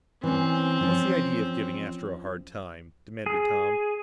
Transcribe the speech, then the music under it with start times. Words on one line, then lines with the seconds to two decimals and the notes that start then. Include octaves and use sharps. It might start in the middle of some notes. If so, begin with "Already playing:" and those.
"What's the idea of giving Astro a hard time?" demanded Tom.
0.23 E3 C4 C#4
0.81 F3 C#4
3.26 G#4